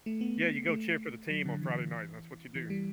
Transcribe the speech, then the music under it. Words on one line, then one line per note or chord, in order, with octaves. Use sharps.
Yeah, you go cheer for the team on Friday night that's what you do.
A3
B3
A3
F#3
D3
E3
E3
G3